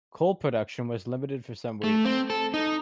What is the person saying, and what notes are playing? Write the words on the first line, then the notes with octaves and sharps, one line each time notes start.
Coal production was limited for some weeks.
A3
C4
A4
D#4